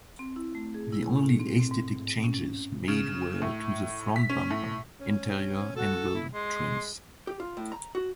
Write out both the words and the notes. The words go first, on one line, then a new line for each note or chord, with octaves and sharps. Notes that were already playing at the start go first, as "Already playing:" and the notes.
The only aesthetic changes made were to the front bumper, interior and wheel trims.
C4
E4
A3
G#4
E4
A2
C4
C4
G#2
C#4
C#3
A2
B6
C#4
A2
C#4
F#4 A4
E4
G#3 C6
G4
F4
A2
A#5
F#4